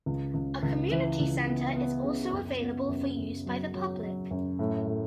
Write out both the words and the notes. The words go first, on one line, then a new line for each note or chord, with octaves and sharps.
A community center is also available for use by the public.
C#2
C#2
C#2
E3
C#2
B3
B3
C#3
F#2
B3
F#2
F#2
F#3
F#3
F#3
F#2
A2
A2